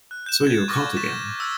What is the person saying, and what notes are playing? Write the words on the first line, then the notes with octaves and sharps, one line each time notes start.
So you are caught again!
F#6
G6 E7
G#6 A6
C#6 D6 F6 A6 A#6
C#6 A6 B6 E7
E6 F6 A6